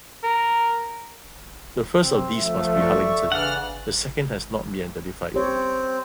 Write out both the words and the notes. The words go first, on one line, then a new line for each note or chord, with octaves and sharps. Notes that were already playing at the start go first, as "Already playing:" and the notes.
The first of these must be Harlington; the second has not been identified.
A#4
C3 C4
F3 A3 E5
A4 D5 C#6
C#3 E3 D4 F#5 F6
C4 G4 C#5